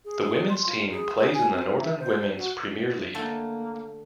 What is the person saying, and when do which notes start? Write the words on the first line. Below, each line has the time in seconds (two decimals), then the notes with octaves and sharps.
The women's team plays in the Northern Women's Premier League.
0.05 G#4
0.49 C6
0.66 F4
0.91 G#4
1.18 G#4
1.34 G#5
1.54 C4
1.80 E5
1.99 C5
2.38 F#4
3.15 D3 A3 A#3